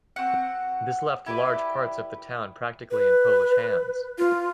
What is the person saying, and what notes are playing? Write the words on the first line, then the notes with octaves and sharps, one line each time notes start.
This left large parts of the town practically in Polish hands.
C4 F#4 F#5
E4 G4 B4 D5
B4
F4